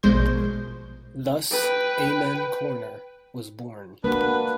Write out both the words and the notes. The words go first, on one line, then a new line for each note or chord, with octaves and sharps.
Thus "Amen Corner" was born.
A#1 B2 G#3 C5 G6
B4 G5
A#3 D4 F#4 B4